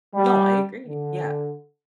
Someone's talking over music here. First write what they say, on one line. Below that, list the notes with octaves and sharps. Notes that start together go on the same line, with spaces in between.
No, I agree, yeah.
G3
D3